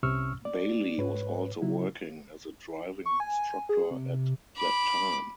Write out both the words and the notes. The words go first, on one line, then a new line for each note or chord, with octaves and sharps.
Bailey was also working as a driving instructor at that time.
C2 C3 C#4 C#6 E6 F6
D5
G#2 B4 C#5
C#3 F#3 E4
C#6
G#5
G#4
C3
B5 D6